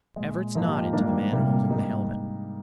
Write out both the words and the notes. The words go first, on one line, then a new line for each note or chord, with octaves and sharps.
Everts nodded to the man holding the helmet.
A#2 G#3
G#2 F3 A#3 D#5
G4
F4
G#2 D#3 G3 A#3 D4
C3 G3 A#3
G#2 G3 A#3 D#4